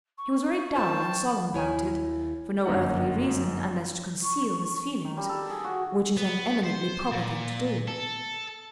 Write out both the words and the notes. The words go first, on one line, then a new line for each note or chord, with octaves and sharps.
He was very dull and solemn about it--for no earthly reason, unless to conceal his feelings--which is an eminently proper thing to do.
C#6
F4 C5 G5 A5
D#2 E4 C#5 G#5
G1 F#2 A#3 D#4 F#5
C#6
D#3
G3
A4
G#4
F#4
B3
C5
A#2
A4